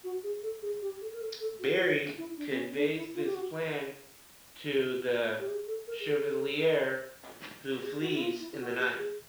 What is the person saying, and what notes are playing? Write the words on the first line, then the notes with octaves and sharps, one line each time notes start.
Barry conveys this plan to the Chevalier, who flees in the night.
F#4
G#4
A4
G#4
G4
A4
A#4
A4
A4
F#4
G4
F#4
E4
D4
C4
C#4
C#4
D4
E4
F4
G4
F#4
G4
G#4
A4
A#4
G#4
A4
G#4
F#4
E4
F4
E4
F#4
G4
G#4